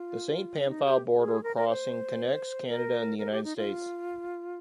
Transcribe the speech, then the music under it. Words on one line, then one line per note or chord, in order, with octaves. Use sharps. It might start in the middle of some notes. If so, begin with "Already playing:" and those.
The Saint Pamphile Border Crossing connects Canada and the United States.
Already playing: F4
C#4
D#4
G4
A#4
G#4
A#4
A#4
C5
A#4
A#4
G4
D#4
F4